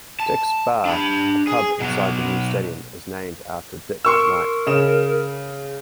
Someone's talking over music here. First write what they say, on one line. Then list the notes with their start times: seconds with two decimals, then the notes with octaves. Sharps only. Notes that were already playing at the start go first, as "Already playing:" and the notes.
"Dick's Bar" a pub inside the new stadium is named after Dick Knight.
0.20 A5
0.85 D4 B5
1.47 G#4
1.80 B2 F#3
4.05 A#4 C6 C#6 E6
4.67 C#3 E7